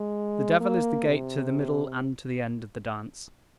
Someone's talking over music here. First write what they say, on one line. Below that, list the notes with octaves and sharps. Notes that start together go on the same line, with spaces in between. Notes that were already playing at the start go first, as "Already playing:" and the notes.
The devil is the gate to the middle and to the end of the dance.
Already playing: G#3
A#3
C3